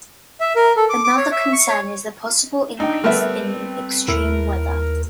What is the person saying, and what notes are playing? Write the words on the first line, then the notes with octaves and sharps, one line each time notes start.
Another concern is a possible increase in extreme weather.
E5
A#4
A4
D6
D6
C#5
E5
C#6
C#5
C4 D4 D#4 G5
G3 A3 B3 A#4 E5
D#2 E4 A#4